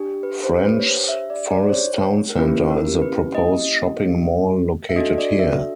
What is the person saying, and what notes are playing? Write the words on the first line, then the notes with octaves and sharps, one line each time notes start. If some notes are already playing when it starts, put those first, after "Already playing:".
Frenchs Forest Town Centre is a proposed shopping mall located here.
Already playing: D4 G4
B4
C5
B4
C#5
C5
E5
D5
D5
C5
C#5
A#4
A#3 C#4 E4 G4 B4
A#4
B4
D#5
E5
D4 F#4 A4 D#5
D5
E5